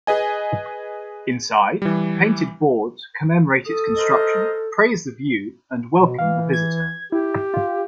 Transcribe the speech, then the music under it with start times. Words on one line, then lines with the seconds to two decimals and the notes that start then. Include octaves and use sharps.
Inside, painted boards commemorate its construction, praise the view and welcome the visitor.
0.07 G#4 B4 D#5 G#5
1.82 E3 G3
3.66 A4 D#6
3.97 A#4 C5 D#5
5.97 B2
6.18 E3 F5
6.53 G#6
7.12 E4 G4
7.54 F4